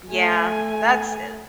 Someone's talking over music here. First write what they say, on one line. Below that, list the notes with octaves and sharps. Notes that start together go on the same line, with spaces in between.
Yeah. That's e
A3 G#5